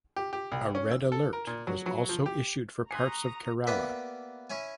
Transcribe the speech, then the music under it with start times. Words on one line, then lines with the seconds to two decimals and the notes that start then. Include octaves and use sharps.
A red alert was also issued for parts of Kerala.
0.16 G4
0.33 G4
0.52 C2
0.75 C#4
0.91 E6
1.12 A4
1.33 A#4
1.47 A#2
1.67 F#3
1.86 F#3
2.09 F3
2.26 G4
2.91 G#5 A#5 C6 C#6 D#6 F#6 B6 C7
3.67 A#3 B3 G4 B4 D5 E5
4.50 C#4 E4 C#5 G#5